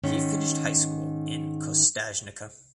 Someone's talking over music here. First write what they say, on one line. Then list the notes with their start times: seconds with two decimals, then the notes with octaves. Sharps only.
He finished high school in Kostajnica.
0.03 G#2 D#3 C#4